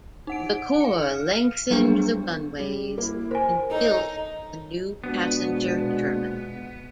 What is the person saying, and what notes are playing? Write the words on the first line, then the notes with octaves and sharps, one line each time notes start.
The Corps lengthened the runways and built a new passenger terminal.
D#4 F#5 D7
F5 C#7
F6
F#3 G3 B3 D4 G#4
G3
A#3 E4
A#4 C5 G#5
D#4 A4 C#5
B2 F3 G#3 B3 D4 F#4